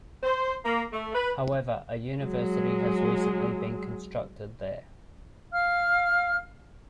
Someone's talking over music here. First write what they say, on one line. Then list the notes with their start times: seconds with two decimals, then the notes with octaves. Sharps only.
However, a university has recently been constructed there.
0.22 C5
0.63 A#3
0.92 A3
1.13 B4
2.23 F#3 G#3
5.53 F5 F6